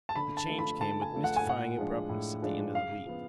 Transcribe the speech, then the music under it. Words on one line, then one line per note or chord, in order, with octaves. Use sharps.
The change came with mystifying abruptness at the end of the week.
A5
D3 B5
A5
F3 A3 D4
B5
D3 A5
G#5
F3 A3 D4
F#5
G#5
A2 F#5
F3 G#3 D4
A2
F3 G#3 D4
C#3 F5
F3 B3